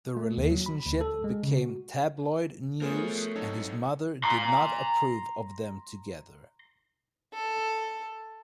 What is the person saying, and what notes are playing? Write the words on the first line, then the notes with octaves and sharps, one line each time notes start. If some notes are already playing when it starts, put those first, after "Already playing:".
The relationship became tabloid news and his mother did not approve of them together.
A3
D#2
F#3
B5
D2
A4
G#3
C#3
F#4
F3 A3 B3 G#4 A#4 C#5
F#3 C4 D#4 A4 C#5
A#5 C6
A4